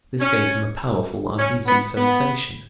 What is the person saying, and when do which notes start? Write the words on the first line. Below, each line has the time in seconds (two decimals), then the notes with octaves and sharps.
This gave him a powerful, uneasy sensation.
0.20 C#4
1.38 C#4
1.66 B3
1.97 B3